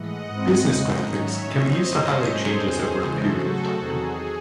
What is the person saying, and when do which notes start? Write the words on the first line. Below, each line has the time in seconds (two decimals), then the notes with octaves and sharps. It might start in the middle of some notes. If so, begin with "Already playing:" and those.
Business Graphics can be used to highlight changes over a period of time.
Already playing: A2 E3 G#3 D#5 F#5
0.29 G#2 E3 C4
0.67 E2 C#3 G#3 C4
1.06 G#2 D#3 F#3 C#4 C#5 E5
1.45 A2 F#3 C#4 C5 D#5
1.84 F#2 E3 C4 A4 C#5
2.23 G#2 F#3 C#4 G#4 C5
2.61 E2 C3 E3 C4
3.00 C#3 E3 G#3 F#4 A4
3.38 C#3 F#3 A3 F#4
3.78 E2 C3 D#3 F#3 G#4